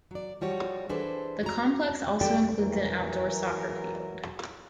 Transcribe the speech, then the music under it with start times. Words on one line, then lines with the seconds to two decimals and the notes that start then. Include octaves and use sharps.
The complex also includes an outdoor soccer field.
0.11 F#3 D5
0.41 F3 G3 F#4 C#5
0.89 E3 D4 G#4 A4 B4 C5
1.43 F#4 A#5
2.21 G3 G4 A4 D5 G5
2.60 E3 F#3 A#4